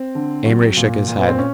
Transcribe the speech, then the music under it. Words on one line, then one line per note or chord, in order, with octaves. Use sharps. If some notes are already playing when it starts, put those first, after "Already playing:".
Amory shook his head.
Already playing: C4
D3
F#3
A#2
A#2
B3
C4
C#4